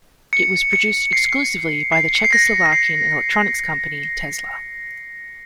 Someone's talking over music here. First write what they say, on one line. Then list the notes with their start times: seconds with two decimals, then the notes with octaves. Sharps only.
It was produced exclusively by the Czechoslovakian electronics company Tesla.
0.33 C#7
0.73 C#7
1.13 C7
1.92 C7
2.15 C#7
2.24 C7
2.33 A#6
2.66 A#6
2.72 C7